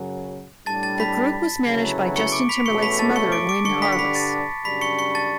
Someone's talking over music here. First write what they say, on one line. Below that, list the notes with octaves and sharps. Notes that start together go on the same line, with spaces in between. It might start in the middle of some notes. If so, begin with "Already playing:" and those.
The group was managed by Justin Timberlake's mother, Lynn Harless.
Already playing: F#2 C#3 F#3
A2 G3 D4 A5 A6
A5 A6
B5 B6
D2 C#3 F#3 B3 E4
C#6 C#7
D6 D7
B5 B6
E2 B2 A3 C#4 C#6 C#7
B5 B6
A5 A6
C#6 C#7
D6 D7
D6 D7
G2 D3 G3 D4 C#6 C#7
B5 B6
C#7
B5 B6
A5 A6
F#2 C#3 G3 D4 B5 B6
C#6 C#7
C#6 C#7
A5 A6